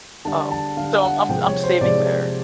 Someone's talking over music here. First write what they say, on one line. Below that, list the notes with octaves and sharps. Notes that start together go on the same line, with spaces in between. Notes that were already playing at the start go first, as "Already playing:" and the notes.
Um, so I'm I'm saving there.
D3 G3 A5
A5
D3 G3 F5
F#5
C3 F3 G#3 G5
C#5
C5
C3 F3 G#3 D5